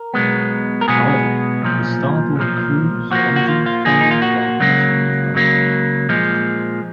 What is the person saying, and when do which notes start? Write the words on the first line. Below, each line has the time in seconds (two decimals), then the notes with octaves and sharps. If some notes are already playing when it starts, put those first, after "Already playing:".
However, the starboard cruise engine failed while crossing the Atlantic.
Already playing: A#4
0.14 B1 B2 G#3 B3
0.81 A#4
0.88 B1 B2 G#3 B3 G#4
1.62 B1 A#2 F3
2.36 B1 A#2 F3
3.11 A#2 F3 A#3 F#4
3.36 F#4
3.48 F4
3.66 F4
3.85 A#2 F3 A#3 G#4
4.01 D#4
4.11 F4
4.22 F#4
4.60 C#2 C#3 F#3 A#3
5.34 C#2 C#3 F#3 A#3
6.09 A#2 F3 G#3